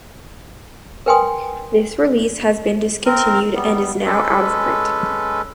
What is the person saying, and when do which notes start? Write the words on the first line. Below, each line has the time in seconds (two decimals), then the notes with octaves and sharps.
This release has been discontinued and is now out of print.
1.06 A#4 B4 G5 G#5 C6 D#6
3.06 C4 A#4
3.55 G3 B3
4.06 G#3 C#4 A4 B4